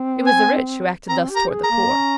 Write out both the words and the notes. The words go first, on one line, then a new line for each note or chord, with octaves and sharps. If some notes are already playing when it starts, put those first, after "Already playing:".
It was the rich who acted thus towards the poor.
Already playing: C4
G#5
C4 A#5
G4
A#5
G#4
A#5
A#3
C#4